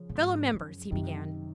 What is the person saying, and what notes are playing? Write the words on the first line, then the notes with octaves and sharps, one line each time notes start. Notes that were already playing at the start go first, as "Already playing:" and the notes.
"Fellow members," he began.
Already playing: C#3 F3
A#2
G#2
F#2
F#2 C3 D#3